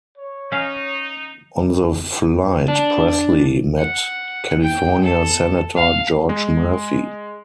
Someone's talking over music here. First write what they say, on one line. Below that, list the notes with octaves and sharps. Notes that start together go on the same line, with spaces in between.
On the flight Presley met California senator George Murphy.
C#5
C#4 D#4 F5
D4
F#5
G5
A4
F5
G#3